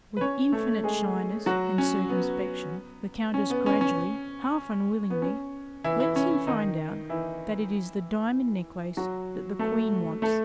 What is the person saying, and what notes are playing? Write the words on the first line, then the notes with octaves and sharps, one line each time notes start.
With infinite shyness and circumspection, the countess gradually, half unwillingly, lets him find out that it is the diamond necklace that the Queen wants.
B4
C#4 C#5
A3 A4
G#3 G#4
F#3 F#4
C#4
B3
C#4
B3
C#4
C#4
B3
C#4
E3 E4
E3 E4
C#4
D#3 D#4
E3 E4
F#3 F#4
A3 A4
A3 A4